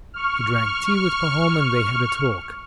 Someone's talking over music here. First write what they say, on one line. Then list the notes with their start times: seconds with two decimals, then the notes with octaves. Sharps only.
He drank tea with Pahom, and they had a talk.
0.14 C#6 F6